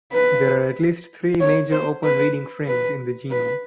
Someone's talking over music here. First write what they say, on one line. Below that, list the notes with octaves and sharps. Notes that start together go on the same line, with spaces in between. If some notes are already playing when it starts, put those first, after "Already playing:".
There are at least three major open reading frames in the genome.
B4
C#5
C5
B4
B4
B4